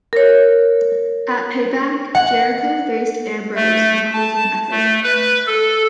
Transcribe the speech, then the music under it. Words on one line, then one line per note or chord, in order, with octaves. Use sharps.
At Payback, Jericho faced Ambrose in a losing effort.
A#4 C#5
F#5
A3
A5
A3
B4
A4